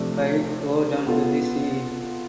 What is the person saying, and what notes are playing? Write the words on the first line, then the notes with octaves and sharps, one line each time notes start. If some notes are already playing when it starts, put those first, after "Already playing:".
Five Go Down to the Sea?
Already playing: C3 F3 A3 D4
B2 B3 F4 A4